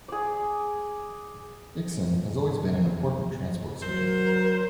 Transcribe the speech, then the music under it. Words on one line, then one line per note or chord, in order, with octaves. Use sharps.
Iksan has always been an important transport center.
G#4 D5
F#3 A#4 C5